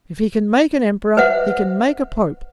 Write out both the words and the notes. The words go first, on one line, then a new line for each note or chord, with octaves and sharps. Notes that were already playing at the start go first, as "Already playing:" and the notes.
If he can make an emperor, he can make a pope.
B4 C5 E5 F#5